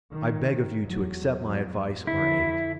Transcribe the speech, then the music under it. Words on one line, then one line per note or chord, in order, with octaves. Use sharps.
I beg of you to accept my advice or aid.
D#3
E2 F#3
F2 D3 E4